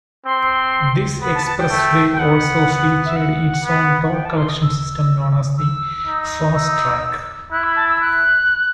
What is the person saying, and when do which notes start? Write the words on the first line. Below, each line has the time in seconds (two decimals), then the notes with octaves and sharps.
This expressway also featured its own toll collection system known as the "FasTrak".
0.25 C4 C6
1.22 B3 B5
1.35 A5
1.47 A5
1.59 G5
1.70 A3
2.13 G5
2.19 B3 F#5
3.05 E5
3.16 F#5
3.64 B3
4.04 F#5
4.13 G5
4.25 A5
4.37 C6
4.49 D#6
4.62 E6
5.58 E6
6.07 D#4
6.55 E6
7.52 E4 F#6
7.64 B5
7.76 A5
7.89 E6
8.01 F#6